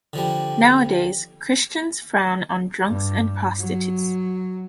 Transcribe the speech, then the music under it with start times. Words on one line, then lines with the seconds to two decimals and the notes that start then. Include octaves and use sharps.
Nowadays Christians frown on drunks and prostitutes.
0.13 D3 F3 G3
2.88 G2
3.59 F#3